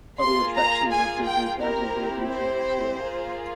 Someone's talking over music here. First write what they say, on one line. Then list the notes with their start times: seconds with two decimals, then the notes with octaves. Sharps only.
Other attractions include Neubrandenburg Regional Museum.
0.20 A#3 F4 G#4 C6
0.55 A#5
0.91 G#5
1.25 G5
1.60 C4 E4 G4 A#4
2.31 C5
3.01 A#3 F4 G#4